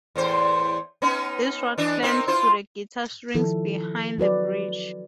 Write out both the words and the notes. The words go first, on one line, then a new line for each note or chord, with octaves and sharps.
This rod clamps to the guitar strings behind the bridge.
E2 A2 C5
B3 C#4 D#4
E3 D4 D#5
C4 D#4 A#4
E4 F4 C5
D#3 F3 E4 A4
F#3 F#4 B4 D5